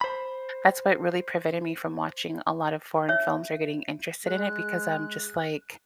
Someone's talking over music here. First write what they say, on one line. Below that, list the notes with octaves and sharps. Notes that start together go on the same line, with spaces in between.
That’s what really prevented me from watching a lot of foreign films or getting interested in it because I’m just like,
C5 B5
C#5 E5
G#3 F#6